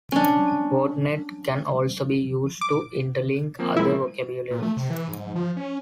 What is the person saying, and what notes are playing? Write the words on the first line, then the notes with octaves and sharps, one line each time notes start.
WordNet can also be used to inter-link other vocabularies.
C#4 D4
D6
F3 A#3 C4
G#3 E4
A#2
A3
C3
E3
G#2
F3
C#4